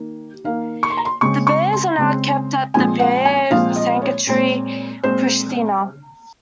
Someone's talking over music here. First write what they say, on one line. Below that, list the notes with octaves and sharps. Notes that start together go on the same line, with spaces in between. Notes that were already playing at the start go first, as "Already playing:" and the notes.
The bears are now kept at the Bear Sanctuary Prishtina.
Already playing: D#3 A#3
D#3 A#3 F5
C#6
C6
A#5
C6
C#3 G#3 C4 C#6
C#6
C6
C#3 G#3 C4
A#2 F3 G#3 C4 G#5
F#5
G#5
A#2 F3 G#3 C4 F5
D#5
C#5
A#2 G#3 C4
A#2 G#3 C4 C5